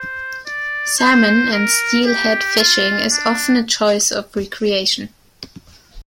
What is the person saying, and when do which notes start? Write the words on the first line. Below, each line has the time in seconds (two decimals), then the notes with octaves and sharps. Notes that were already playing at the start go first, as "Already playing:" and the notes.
Salmon and steelhead fishing is often a choice of recreation.
Already playing: C5
0.47 D5
1.00 C5
1.52 A#4
2.06 G4
2.59 F4
3.12 D4